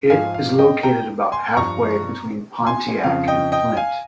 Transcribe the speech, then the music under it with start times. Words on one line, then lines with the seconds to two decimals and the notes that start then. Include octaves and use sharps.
It is located about halfway between Pontiac and Flint.
0.10 G#2 F3 F5 G#5
0.34 F5
0.59 D#5 G5
0.83 G5 A#5
1.32 G#5 C6
1.56 G2 F3 A#5 C#6
2.67 G#5 C6
3.04 F2 C#3 F3 F5
3.28 D#5 G5
3.52 D#5 G5
3.77 F5 G#5